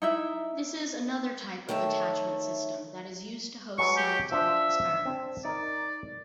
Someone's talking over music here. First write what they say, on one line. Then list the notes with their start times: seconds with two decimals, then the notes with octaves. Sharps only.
This is another type of attachment system that is used to host scientific experiments.
0.02 D#4 E4 E5
1.69 D#3 A3 C#5 E5 A5
3.78 F#3 G#3 B4 C#6
3.97 G4
4.32 F3 D4 C5 E5
5.05 C4 D4
5.45 D#4 A#4 D5